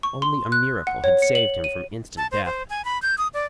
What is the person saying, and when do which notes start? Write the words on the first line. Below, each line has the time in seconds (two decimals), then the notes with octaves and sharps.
Only a miracle had saved him from instant death.
0.03 C#6
0.22 C6
0.52 F#6
0.87 F#5
1.04 C#5
1.22 C#7
1.35 F#7
1.64 D#7
2.17 A5
2.32 C5
2.46 C5
2.70 G#5
2.85 B5
3.02 G6
3.18 D#6
3.34 D5